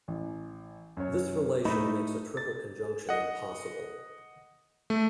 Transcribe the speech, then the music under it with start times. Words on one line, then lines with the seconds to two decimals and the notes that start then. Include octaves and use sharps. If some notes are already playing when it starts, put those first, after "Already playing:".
This relation makes a triple conjunction impossible.
0.08 A1
0.97 F#2 C#5
1.65 A2 A3 D#4 D#5 B5
2.37 A6
3.09 D#5 F#5
4.90 A3